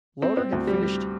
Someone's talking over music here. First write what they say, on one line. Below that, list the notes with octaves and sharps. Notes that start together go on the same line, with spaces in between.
Loder had finished.
C4
C4
D2
G3
G3